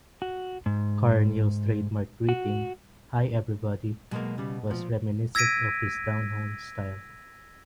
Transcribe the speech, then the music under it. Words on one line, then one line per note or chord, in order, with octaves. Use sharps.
Carneal's trademark greeting, "Hi everybody", was reminiscent of his down-home style.
F#4
G#2
F#4
B2 F#3 G#3 A#3
C#3 G3
A#2 F3
E6 G#6 A#6 B6 D7 D#7